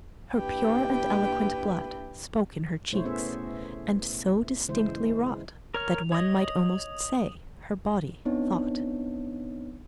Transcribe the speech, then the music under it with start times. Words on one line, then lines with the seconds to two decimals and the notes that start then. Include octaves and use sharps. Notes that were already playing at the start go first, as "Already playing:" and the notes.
"Her pure and eloquent blood Spoke in her cheeks, and so distinctly wrought, That one might almost say her body thought."
0.34 A#2 D4 E4 G4 B4 G5
2.92 B2 A3 E4 C5 C#5
3.05 B3 C#4 G#4 C5 E5
4.68 C#3 E3 G#3 E4 C5
5.74 A#4 C#5 F6 F7
6.12 C#5 D#5 D#6
8.25 B3 C4 D4 D#4 C#5